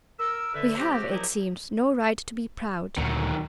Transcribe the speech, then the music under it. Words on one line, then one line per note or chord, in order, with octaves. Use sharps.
"We have, it seems, no right to be proud."
A#4 E6
D3 B4 E5
F3 A3 C4 F#4 G4
A#2 F3 F#3 D#4 E4 G4
D2 A#2 D#3 F#3